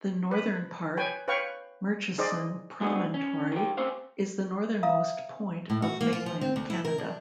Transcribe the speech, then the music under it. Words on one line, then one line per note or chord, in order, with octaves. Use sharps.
The northern part, Murchison Promontory, is the northernmost point of mainland Canada.
B4
B4 C#5 G5 G#5
B4 C#5 F5 G5 C#6
D#4 G#4 C5 D5 D#5
D2 F#3 A3 B3 C4 D4
C#4
D#3 G4
A3 C4 C#4 G4 C5 F5
E5 F5 A#5 D#6
A2
F#4
A#3
F4
F3
C4
D2
E4
A#4
D4